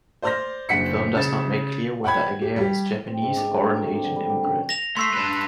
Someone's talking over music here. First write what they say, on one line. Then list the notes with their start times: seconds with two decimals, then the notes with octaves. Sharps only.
The film does not make clear whether Ageha is Japanese or an Asian immigrant.
0.22 C5 D5 C6 F6 G6 A#6
0.69 F#1 D4 F#5 B6 C#7
1.15 C#3 A6 E7
2.04 F#5 G5 B5 G#6
2.42 G4
2.56 G3 G4
3.07 C4
3.22 G#2
3.37 D4
3.51 A3
3.64 F#3
3.76 A#4
3.87 C4
4.03 D3
4.16 G3
4.30 G5
4.44 C#4
4.69 A#6 F7
4.97 A3 C6 E6 C7
5.14 D4 B4